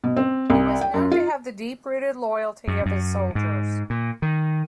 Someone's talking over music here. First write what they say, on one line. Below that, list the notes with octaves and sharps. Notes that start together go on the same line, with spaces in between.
He was known to have the "deep rooted" loyalty of his soldiers.
B2
C4
C2
G5
F#2
F4
F#2
F#2
G#2
A#2
D#3